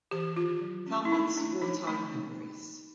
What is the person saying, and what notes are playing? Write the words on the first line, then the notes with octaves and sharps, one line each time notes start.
Falmouth's Wartime Memories.
E3 G4
D#3 F4
F#3
C#4
E4
A3 D#4
A3 D4
F3 D#4
A3 D#4